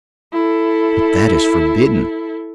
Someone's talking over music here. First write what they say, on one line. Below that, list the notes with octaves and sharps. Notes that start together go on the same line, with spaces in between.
But that is forbidden!
E4 A4